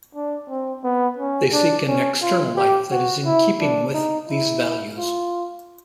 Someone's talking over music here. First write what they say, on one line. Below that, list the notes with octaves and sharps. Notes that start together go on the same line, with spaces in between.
They seek an external life that is in keeping with these values.
D4
C4
B3
C#4
D4
C#4
F4
G4
F#4
E4
D4
D#4
E4
F4